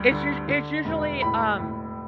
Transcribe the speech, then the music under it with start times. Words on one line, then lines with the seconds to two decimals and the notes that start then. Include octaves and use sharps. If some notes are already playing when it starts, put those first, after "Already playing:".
it's usu it's usually, um,
Already playing: D2 G2
0.11 D3
0.48 D3
0.85 E1
1.22 A2 B5
1.59 A2